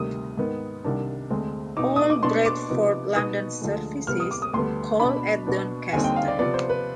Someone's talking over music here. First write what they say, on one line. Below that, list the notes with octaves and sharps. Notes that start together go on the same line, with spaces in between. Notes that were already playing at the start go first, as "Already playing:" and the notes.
All Bradford-London services call at Doncaster.
Already playing: D2 C3 D#3 G3 D#6
G#2 D#3 B3
C2 C3 D#3 G3 D4
D2 D3 G#3 C4
B2 B3 D#4 D6
D#6
D6
B2 B3 D4 C6
D6
C3 F3 B3 D#4
B2 B3 D#4 D#6
D2 D3 F3 G#3
C2 C3 G3 B3 F6
D#6
D6
D#6
D2 D3 G3 B3 C6
B2 B3 D4 B5
B2 B3 D4
D#2 D3 G3 C4 D#4 G#5
G5
F5
D5
C3 F3 B3 D5
C5
B4